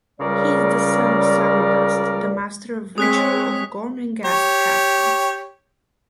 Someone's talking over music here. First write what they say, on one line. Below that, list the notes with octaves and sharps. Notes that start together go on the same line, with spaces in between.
He is the son of Sourdust, the Master of Ritual of Gormenghast castle.
C#2 C#3 G3 A#4 D5
G#3 C4 C#5 D#6 F#6 B6
G4 C#5